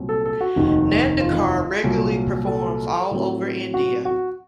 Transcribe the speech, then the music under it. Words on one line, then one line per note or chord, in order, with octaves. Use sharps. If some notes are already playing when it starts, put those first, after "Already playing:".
Nandikar regularly performs all over India.
Already playing: C2 A#2 F#3 C4
A4
A4
F#4
F1 D#2 D#3
F4
C2 A#2 F#3
A4
A2 F#3 C4
F#4
F#4